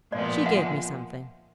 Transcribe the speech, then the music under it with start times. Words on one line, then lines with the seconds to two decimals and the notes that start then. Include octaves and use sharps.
She gave me something.'
0.12 A#2 F3 G#3 B3 D5 E5
0.46 E5 F#5